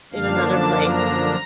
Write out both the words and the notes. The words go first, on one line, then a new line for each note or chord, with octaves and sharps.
in another place.
F#2 D3 F3 A#3 D4 F5
A5
A#5